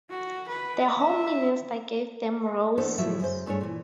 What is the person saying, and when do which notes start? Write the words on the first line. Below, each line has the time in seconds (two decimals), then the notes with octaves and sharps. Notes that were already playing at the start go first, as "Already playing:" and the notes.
The Home Minister gave them roses.
0.10 F#4
0.48 B4
0.99 E5
2.77 E3 A3 B3 D4 C5
2.98 D2 A2 F3 F#3 E5
3.20 F#2 C#3 C5
3.46 G2 A3 D4 G#4 C#5
3.61 A#2 E3